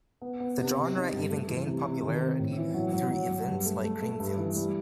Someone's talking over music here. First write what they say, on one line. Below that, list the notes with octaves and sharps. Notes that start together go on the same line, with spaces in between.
The genre even gained popularity through events like Creamfields.
B3
B3
C3
C3
D#4
G2
A3
E3
C3
C3
D#3
C4
A2
E3
F#3
F#3
F#3
F#3
G2
A3
A3
A3
G2
E3
G3